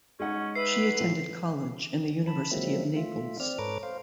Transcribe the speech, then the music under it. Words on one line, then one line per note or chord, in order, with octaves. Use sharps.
She attended college in the University of Naples.
G#3 C#4 D#4 F#5
B4 E5 C7
A2 F3 A3
A5 B5
F3 F#3 G#3 A#3 C4 E5
A3 F4 E5
C4 D5 F6
G#2 A4 B4 C#5 A#5 D6
C5 F5